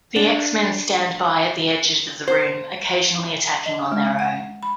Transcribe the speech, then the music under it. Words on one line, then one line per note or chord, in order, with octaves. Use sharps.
The X-Men stand-by at the edges of the room, occasionally attacking on their own.
D4
C5
D#5
G#3
F#5
B5